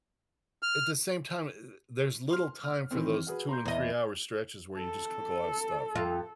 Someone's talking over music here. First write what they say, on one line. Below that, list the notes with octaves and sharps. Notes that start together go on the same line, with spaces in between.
at the same time, there's little time for those two and three-hour stretches where you just cook a lot of stuff,
F6
C6 F6
F6
D#3 E3 C4
F#4 G#4 B4
A#5 C6 G6
E2 D#5
A4
F2 F4